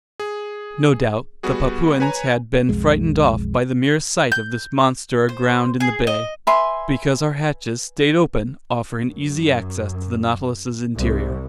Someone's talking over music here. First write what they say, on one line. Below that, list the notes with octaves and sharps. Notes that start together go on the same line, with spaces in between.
No doubt the Papuans had been frightened off by the mere sight of this monster aground in the bay, because our hatches stayed open, offering easy access to the Nautilus's interior.
G#4
G3 B3 F#4 G#4
B4 C#5 G#5 A#5
B1 F2 G#3
G6
C5
G#4
D#5
B4 E5 G#5 C6
F#2
C2